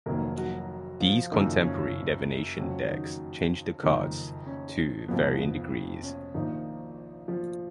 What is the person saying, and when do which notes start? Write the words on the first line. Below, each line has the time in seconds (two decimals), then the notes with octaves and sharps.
These contemporary divination decks change the cards to varying degrees.
0.06 F1 F2 D#3 F#3 A#3 A#4
0.38 F#3 F#4
1.00 F3 F4
1.31 F#1 F#2 D#3 F3 D#4
1.64 C#4
2.57 F2 C#3 F#3 C#4
2.88 D#3 D#4
3.83 F#1 F2 D#3 D#4
4.46 C#4
5.08 F1 F2 F3 B3
6.03 C#4
6.34 A#1 A#2 D#3 F3 D#4
7.28 F3 F4